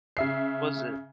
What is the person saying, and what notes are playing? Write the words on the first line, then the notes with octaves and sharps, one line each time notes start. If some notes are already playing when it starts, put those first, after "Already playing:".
Was it
C#3 E5 C7